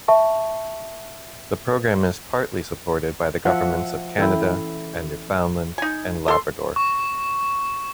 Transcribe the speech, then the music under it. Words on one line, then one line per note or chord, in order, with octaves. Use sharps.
The program is partly supported by the governments of Canada and Newfoundland and Labrador.
E5 A5 C#6
F3 E5 F#5
E3 C#4 E4 A4 E5 G5
D#4 G#5
A4 C6
C#6